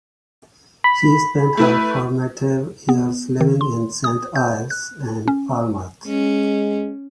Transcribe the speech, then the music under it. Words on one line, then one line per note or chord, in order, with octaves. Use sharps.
She spent her formative years living in Saint Ives and Falmouth.
B5
A3 E4 B4
B3
D#3
C6
D#6
G6
F#6
C#4
G#3 C#4